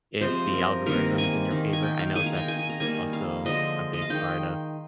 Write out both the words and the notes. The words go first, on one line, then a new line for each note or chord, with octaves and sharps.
if the algorithm is in your favor. I know that's also a big part of
C3 F3 G#3 C5
A#4
C3 D#3 A#3 A#4
G#5
D#3 A#3
G#5
G5
F5
D#3 G#3 G#5
A#5
G5
G#5
G#5
A#5
D#3 G3 A#3 G#5
F5
D3 F3 G#3 D#5
D#5
F5
D#3 G#3 G5